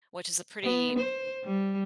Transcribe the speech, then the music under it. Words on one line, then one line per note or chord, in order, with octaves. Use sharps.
which is a pretty
B3
C5
G3